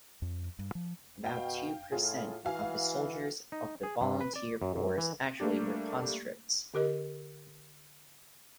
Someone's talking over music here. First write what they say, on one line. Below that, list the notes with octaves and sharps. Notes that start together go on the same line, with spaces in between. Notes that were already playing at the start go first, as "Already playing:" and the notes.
About two percent of the soldiers of the volunteer force actually were conscripts.
F2
G2
F3
B2 F5 G5
A2 F4 G#4
E3 F#4 F5 G#5
D#4
G#4
G2
B4
D5
F#2
F#2
E3
G3 A3 A#3 D4 G4
D3 G4 A#4 D#5